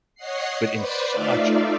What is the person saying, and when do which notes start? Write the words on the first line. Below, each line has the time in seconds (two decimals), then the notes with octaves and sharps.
but in such
0.15 C#5 D#5 F#5 C7
0.72 B4 C5 D5
1.11 A3 D#4 F4 D5 E5 F5